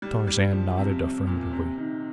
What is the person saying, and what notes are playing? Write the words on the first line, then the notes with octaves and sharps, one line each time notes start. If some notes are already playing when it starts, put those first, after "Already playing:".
Tarzan nodded affirmatively.
G3
G3
F3
C3
C3
A#2
C3
D#3